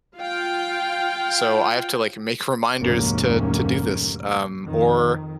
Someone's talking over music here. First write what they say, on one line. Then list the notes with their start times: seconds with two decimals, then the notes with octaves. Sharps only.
So, I have to, like, make reminders to to do this, um, or,
0.16 F4 F5 G5
2.80 F1 D2 G#2 A#3 C#4
4.64 F2 D#3